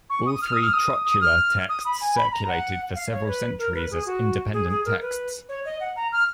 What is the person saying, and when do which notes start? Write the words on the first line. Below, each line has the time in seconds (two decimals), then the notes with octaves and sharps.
All three "Trotula" texts circulated for several centuries as independent texts.
0.10 C#6
0.26 D#6
0.42 F6
0.53 D#6
0.63 F6
0.73 D#6
1.05 D#6
1.21 F6
1.69 D#6
1.85 B5
2.01 G#5
2.16 B5
2.32 A#5
2.48 F#5
2.95 F5
3.12 C#5
3.27 B4
3.58 A#4
3.74 B4
3.91 G#4
4.06 F#4
4.53 G#4
4.70 G#4
4.85 A#4
5.01 B4
5.49 C#5
5.65 D#5
5.80 F#5
5.96 A#5
6.12 F6